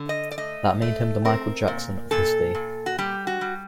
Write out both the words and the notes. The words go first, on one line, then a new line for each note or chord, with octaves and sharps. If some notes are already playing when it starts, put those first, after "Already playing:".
That made him the Michael Jackson of his day.
Already playing: D3
D#5
D5
A3 D#5
A3
C4 A#4
A#2
A#2 A4
A#2
F#4
G3 G4
F#4
G3